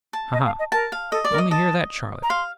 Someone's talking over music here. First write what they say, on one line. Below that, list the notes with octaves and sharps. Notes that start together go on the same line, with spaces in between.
'Ha! ha! only hear that, Charlotte!'
A5
D#5
F5
D#5
A#4 A5
F5
A4 D#5
D5
A#4
D#5
D#5 A5
A#5
F5 C6